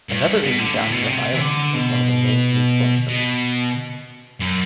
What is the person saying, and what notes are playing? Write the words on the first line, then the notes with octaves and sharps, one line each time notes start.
Another is the adoption of violins as one the main musical instruments.
G2
B2
D3
A2
B2
C3
E3
D3
B2
B2
F#2